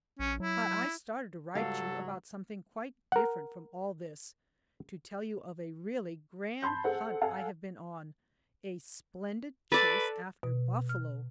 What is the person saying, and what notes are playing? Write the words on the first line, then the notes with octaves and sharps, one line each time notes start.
But I started to write you about something quite different from all this--to tell you of a really grand hunt I have been on--a splendid chase after buffalo!
A#1 C#4
F#3 E4
C#2 G#2 F#3 G3 A4 F5
A#4 F#5
A5 B5 C6 G6
G#4 A4 C5 F#5
A4 F5 F#5 G#5 A5
A4 B4 D5
B2
F6